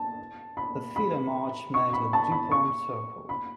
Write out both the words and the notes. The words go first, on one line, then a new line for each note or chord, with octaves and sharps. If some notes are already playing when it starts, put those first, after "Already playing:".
The feeder march met at Dupont Circle.
Already playing: A5
B5
B5
C#6
B5
A5
B5
C#6
B5